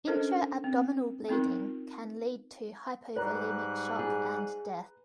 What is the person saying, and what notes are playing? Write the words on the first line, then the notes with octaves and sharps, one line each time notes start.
Intra-abdominal bleeding can lead to hypovolemic shock and death.
C#4 D4 A4 A#4 C5 D#5
C4
B3 C4 D#4 F4 A#4
G#2 G3 B4 A#5 F#6
G#4